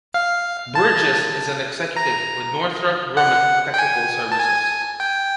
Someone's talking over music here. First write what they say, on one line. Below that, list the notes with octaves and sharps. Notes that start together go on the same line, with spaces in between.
Bridges is an executive with Northrop Grumman Technical Services.
F5
A5
A#5
F#5
G5
G#5
A5
G#5
G5